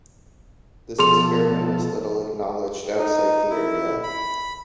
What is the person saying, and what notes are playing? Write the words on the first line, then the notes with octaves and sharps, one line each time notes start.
This experiment is little acknowledged outside the area.
B2 F3 G#4 A4 C6 F7
D#4
E4
B5